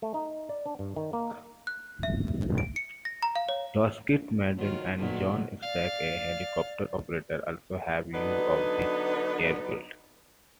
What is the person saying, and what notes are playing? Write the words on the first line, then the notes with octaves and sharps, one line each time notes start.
Lockheed Martin and Jon Stark, a helicopter operator, also have use of the airfield.
A3
D#4
D5
D4
G2
D#3
A#3
F#6
E5
D7
C#7
A#6
A#5
F5
C#5
D#3 F#3 F4
B1 A#2 D#3 F#3
D5 F5
D3 F#3 B3 D4 D#4 B4